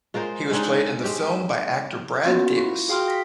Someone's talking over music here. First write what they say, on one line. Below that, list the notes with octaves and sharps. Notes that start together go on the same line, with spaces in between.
He was played in the film by actor Brad Davis.
G#3 F4 A#4 C5
G#3 C4 D4 D#4
G#3 C4 G4
A#3 B3 C#4 F4 F#4
E4 F4 C#6
F#4 G#4 F5 G5 C6 F6
A#6 B6